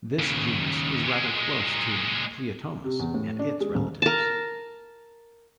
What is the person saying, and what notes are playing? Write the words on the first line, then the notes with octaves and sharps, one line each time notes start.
This genus is rather close to "Pleotomus" and its relatives.
D#2 C#3
A#2 G#3
C3
E2
A2
D4
G#3
D#1
A#4 A5